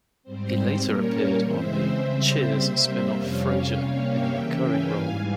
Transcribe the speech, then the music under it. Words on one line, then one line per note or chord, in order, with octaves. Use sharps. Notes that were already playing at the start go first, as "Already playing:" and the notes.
He later appeared on the "Cheers" spin-off "Frasier" in a recurring role.
G#2 G3 C4 C5
A#2 G3 A#3 C#4 A#4 C#5
C#3 E3 G#3 C4 C5 E5
C#3 G3 C4 C5 E5
C5 E5
C3 G3 A#3
F2 C3 G3 C#4 C#5 F5
C3 G3 A#3 C#4 C#5 F5
E5 G5
C#3 E3 A#3 C#4 E5 G5
F5 G#5
G#2 E3 G3